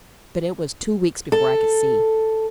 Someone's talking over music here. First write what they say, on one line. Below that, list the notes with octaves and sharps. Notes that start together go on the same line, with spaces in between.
But it was two weeks before I could see.
A4